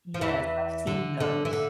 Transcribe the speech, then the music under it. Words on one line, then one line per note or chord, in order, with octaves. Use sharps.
Yes, I've seen those.
F3
E2 E3
D3
D3
E3
D3